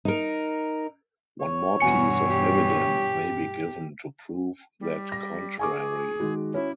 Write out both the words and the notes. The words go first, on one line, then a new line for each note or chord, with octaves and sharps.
One more piece of evidence may be given to prove the contrary.
D#4 A#4
C#5
E2 G2 B2 E3 F#4 G#5 C#7
G4
G3
A#6
G#4 G#5 C#6 D6
D#3 G#3 F#4
C#4 E4 F#4 C#5